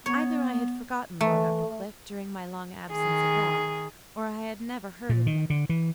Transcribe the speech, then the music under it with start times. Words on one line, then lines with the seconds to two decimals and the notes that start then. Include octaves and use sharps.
Either I had forgotten Lord Uppercliff, during my long absence abroad, or I had never heard of him.
0.06 B3 C#5
1.21 E3 A3
2.90 D#3 G#4
5.09 A#2
5.26 D#3
5.50 D3
5.69 E3